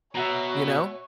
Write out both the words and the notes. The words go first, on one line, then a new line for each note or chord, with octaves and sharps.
You know?
B2 F#4 C#5 E5 F#5 A#5